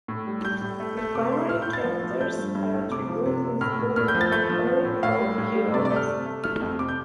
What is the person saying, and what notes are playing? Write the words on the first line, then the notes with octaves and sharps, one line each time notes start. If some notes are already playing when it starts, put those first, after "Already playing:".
The primary characters are a tribute and spoof of early pulp heroes.
A2
G3
G3 G6
A2
A3
A3
C3 D6
A3 C6
A2 F6
G6
A2
A6
F3
F3
A3 G6
G2
G2
A3
C3 D6
F3
C3
C3
A2 F6
A2
A2 F6
G6
F3
A6
A3 G6
F3
F3
A2
A2 F5
G3
A2
G3
C3 D5
D5
A3
F6
C3
A3
A3 F6
F2
C3 D6
G6